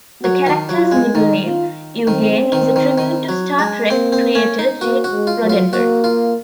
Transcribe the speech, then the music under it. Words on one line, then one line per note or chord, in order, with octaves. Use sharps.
The character's middle name, "Eugene", is a tribute to "Star Trek" creator Gene Roddenberry.
F#3 F#4
D#3
F#3 F4
G#3
D#3 D#4
F4
D#3 C4
D#3
D#3
D#3
F#3
G#3
A#3 C4
C4
C#4
D#4
A#3 F#4
F#4
G#3
F4
F#3
F4
A#3 F#4
F4